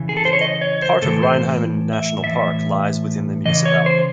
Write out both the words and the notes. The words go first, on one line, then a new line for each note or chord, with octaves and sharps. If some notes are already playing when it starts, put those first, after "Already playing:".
Part of Reinheimen National Park lies within the municipality.
Already playing: C#3 E3
G#4
A4
C5
C#5
D#5
C#5
C5
A2 E3 A4
C5
E5
A2 E3 E5
C#3 E3 D#5
C#5
C5